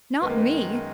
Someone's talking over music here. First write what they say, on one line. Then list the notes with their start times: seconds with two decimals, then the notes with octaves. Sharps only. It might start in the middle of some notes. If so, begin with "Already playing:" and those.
Not me!
0.22 F#2 D#3 G#3 B3
0.30 A#3
0.38 B3